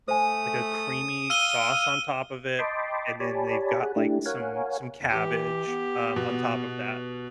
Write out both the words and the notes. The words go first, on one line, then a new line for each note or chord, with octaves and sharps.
like, a creamy sauce on top of it, and then they've got, like, some some cabbage, um, on top of that.
A3 C5 G#5 D#6
F5 E6 D#7 G7
D#5 G5 A5 B5 C6 D6
G4 C#5 D5 G#5 A5 B5
G#4 F#5
A3 D4 E4 G4
A#4 C#5 F5 F#5 G#5
E3 G4
B3
B2